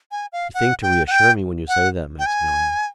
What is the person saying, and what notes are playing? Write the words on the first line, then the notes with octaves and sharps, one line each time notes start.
"You think to reassure me when you say that, Maximilian."
G#5
F5
F#5
G5
F#5
G5
F#5
G5
G#5